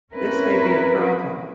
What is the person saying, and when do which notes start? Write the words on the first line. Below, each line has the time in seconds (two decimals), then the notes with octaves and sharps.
This may be a problem.
0.12 C4 C#4 E4 A#4 B4